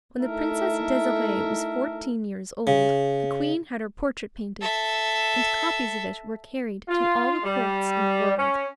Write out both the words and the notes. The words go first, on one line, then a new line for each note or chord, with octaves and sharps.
When the Princess Desiree was fourteen years old, the Queen had her portrait painted, and copies of it were carried to all the Courts in the world.
A3 D#4 E4 A4 A#4 E5
C#3
A4 E5
F4
G3
C#4